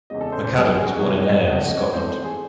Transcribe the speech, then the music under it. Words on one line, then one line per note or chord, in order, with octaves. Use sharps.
McAdam was born in Ayr, Scotland.
E2 C#3 G#3 C4 D#5
A4
C5
C5
C#2 C3 F#3 G#4
G#4
F#4
C2 C3 E3 G#3 C#5
D#5
C#2 C3 E3 A3 F#5
D#5
C#5
G#2 E3 A3 C4 C5
C5
G#4